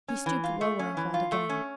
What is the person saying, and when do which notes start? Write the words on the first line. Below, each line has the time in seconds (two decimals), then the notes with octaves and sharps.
He stooped lower, and called again.
0.08 C#4
0.26 E3
0.44 F4
0.61 A3
0.79 C#4
0.97 E3
1.14 F4
1.32 A3
1.49 C#4